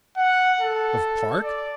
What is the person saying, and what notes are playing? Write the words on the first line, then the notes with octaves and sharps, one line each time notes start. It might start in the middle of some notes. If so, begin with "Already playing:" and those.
"Of park?"
F#5
A4
D5